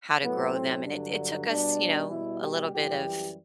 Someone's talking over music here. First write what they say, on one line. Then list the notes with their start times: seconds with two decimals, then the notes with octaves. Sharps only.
how to grow them and it it took us, you know, a little bit of
0.22 A2 F#3 B3
0.54 C4
0.85 G2 D3 F#3 D4
1.48 B2 G3 D4
2.11 B2 G3 E4
2.43 G4
2.74 F#2 E3 G3 G4